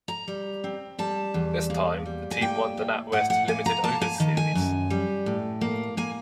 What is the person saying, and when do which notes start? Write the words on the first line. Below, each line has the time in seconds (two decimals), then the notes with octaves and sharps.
This time, the team won the NatWest limited overs series.
0.08 A#5
0.28 G3
0.64 C4
0.99 G3 A5
1.34 E2
1.70 A#3
2.06 G3
2.31 G#5
2.41 A#3 G5
2.77 A2
3.12 A2 F#5
3.30 F#5
3.48 A#3 G#5
3.66 A#5
3.84 A#3 A5
4.01 G#5
4.20 D#3
4.37 G#5
4.55 F#2
4.90 G3
5.26 A2
5.61 A#3
5.97 A#3 G#5